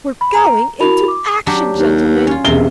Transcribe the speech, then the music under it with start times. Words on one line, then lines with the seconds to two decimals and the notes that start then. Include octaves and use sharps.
"We're going into action, gentlemen!"
0.21 B5
0.34 A#5
0.80 E4 F#4 A#4 B5 F7
1.08 D6
1.47 F#3 D4 G4
1.77 D#2
2.27 C#4 F4
2.45 E1 C3 F5 G7